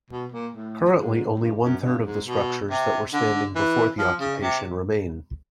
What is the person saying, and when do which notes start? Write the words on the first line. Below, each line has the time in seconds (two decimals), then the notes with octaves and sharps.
Currently, only one third of the structures that were standing before the occupation remain.
0.10 B2
0.32 A#2
0.54 A2
0.96 G#2
1.40 G2
1.61 F#2
1.83 G2
2.05 G#2
2.27 B2
2.70 C3
3.13 D3
3.55 E3
3.98 F3
4.20 C#3
4.42 C3